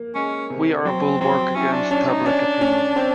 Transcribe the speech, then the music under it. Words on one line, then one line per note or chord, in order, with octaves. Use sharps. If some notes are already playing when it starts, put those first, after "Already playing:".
We are a bulwark against public opinion.
Already playing: A#3
G#3 C#4
C3
F#3 C4
F#3 C4
C#4 E4
D4
C#4 D4
D#4
C#4 D4
C#4
C4